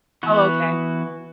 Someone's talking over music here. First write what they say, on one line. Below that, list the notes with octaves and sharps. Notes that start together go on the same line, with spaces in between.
Oh, okay.
E3 B3 F#4